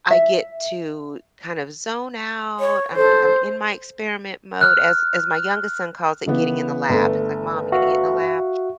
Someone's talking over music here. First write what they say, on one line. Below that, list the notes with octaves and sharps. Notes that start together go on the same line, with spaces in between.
I get to kind of zone out. I'm I'm in my experiment mode as as my youngest son calls it getting in the lab. He's, like, "Mom, you gonna get in the lab."
E5
C#5
A4 C5
F6 F#6
C#3 E3 B3
G1 A3
F#4 E5 F5